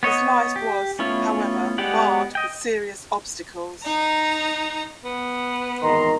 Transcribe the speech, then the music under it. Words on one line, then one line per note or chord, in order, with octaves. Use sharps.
His life was, however, marred with serious obstacles.
B3 C#5 D#5
G4
A3 B3 C#4 E4 F4
G#3 B3 G4 D5 F#5
D#5 G5
D#4 A#5
B3
G#1 E2 D#3 A#5 C6